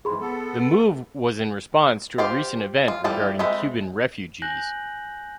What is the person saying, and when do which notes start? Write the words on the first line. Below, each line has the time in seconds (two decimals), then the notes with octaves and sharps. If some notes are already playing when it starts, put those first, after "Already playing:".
The move was in response to a recent event regarding Cuban refugees.
0.05 F2 G#2 E3 G#4 B5 C6
0.20 B3 A4
2.18 F4 G4 C5
2.88 F4
3.04 E3 F3 G3 A4
3.39 G#3 A3 C4 B5
4.42 G#5 F#6 G6 A#6 F#7